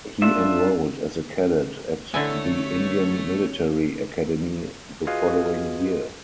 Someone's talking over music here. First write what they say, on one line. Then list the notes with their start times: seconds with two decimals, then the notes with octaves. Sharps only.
He enrolled as a cadet at the Indian Military Academy the following year.
0.22 D4 F4 E5
2.14 D3 A3 E4 C#5 G#5
5.07 F4 F#4 G#4 B4 D#5 F5